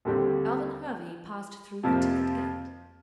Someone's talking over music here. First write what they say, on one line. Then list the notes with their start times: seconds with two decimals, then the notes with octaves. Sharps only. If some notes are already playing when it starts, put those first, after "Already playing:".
Alvan Hervey passed through the ticket gate.
0.05 D#2 D3 G3 C4
1.83 F2 C3 F3 A#3